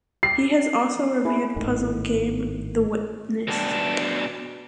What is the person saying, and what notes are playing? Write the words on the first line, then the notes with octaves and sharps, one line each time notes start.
He has also reviewed puzzle game "The Witness".
G4 C7
E4 G#4 B4
G#1 A2 D#3
B2 D4